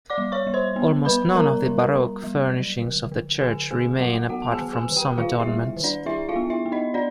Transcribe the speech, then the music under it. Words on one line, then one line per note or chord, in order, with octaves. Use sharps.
Almost none of the Baroque furnishings of the church remain apart from some adornments.
D5 D6
G3
C#5 C#6
G3
C5 C6
B3
G3 B4 B5
G3 A#4 A#5
G3
G3
G3
F#3
D3
D3
D3 G#4 G#5
A3 G#4 G#5
F#3 F#4 F#5
B3 F#4 F#5
A5
G#4 G#5
D#3
G#4 G#5
D#3
G4 G5
D#3 F4 F5
E4 E5
G3
D#3
D4 D5
D4 E4 E5
F4 F5
B3
E4 E5
B3
D#4 D#5
D4 D5